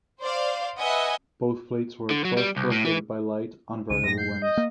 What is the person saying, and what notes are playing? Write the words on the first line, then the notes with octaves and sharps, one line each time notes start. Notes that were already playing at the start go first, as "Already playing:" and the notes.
Both fleets were at first frustrated by light and variable winds.
C5 D5 F5
B4 D#5 E5 F#5 G#5
D3
F#3
G3
C2
A2
E3
C2 C#3 D#7
F#2 A2 A#6
G6 C7
D#5
A#3